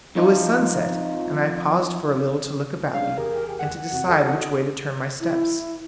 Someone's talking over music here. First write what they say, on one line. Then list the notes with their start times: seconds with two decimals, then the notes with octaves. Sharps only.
It was sunset, and I paused for a little to look about me, and to decide which way to turn my steps.
0.15 F2 F3 D#4 F4
2.94 G#3 C#4 D4 F5
3.18 E2 G4 G#4 A#4
3.59 F#5
3.92 E2 C3 F#4
4.08 F#4 A4 D#5
5.20 E4